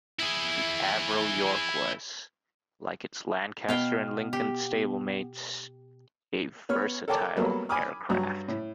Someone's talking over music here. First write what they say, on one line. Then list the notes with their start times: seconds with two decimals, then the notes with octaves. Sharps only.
The Avro York was, like its Lancaster and Lincoln stablemates, a versatile aircraft.
0.20 E4 G#4
3.69 B2 B3 F5 G5
4.33 G4
6.69 B3 C#5 F6
7.08 A4 A#4 C#5 G5 A5 D6
7.37 F#3 G3 A#3 B3 A4
7.69 G#5 B5 D6 D#6 F6
8.10 G2 F#3 F#4 A#5
8.48 A2